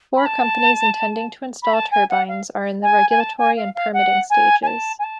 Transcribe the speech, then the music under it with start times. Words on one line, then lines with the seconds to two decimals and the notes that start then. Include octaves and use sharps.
Four companies intending to install turbines are in the regulatory and permitting stages.
0.16 B5
0.25 A5
1.62 B5
1.73 A5
1.91 G#5
2.09 F#5
2.28 F5
2.82 G#5
3.10 G#5
3.20 A5
3.38 G#5
3.56 F5
3.75 F5
3.93 F#5
4.30 G#5
4.62 G#5
4.67 A5
4.99 G#5
5.03 A5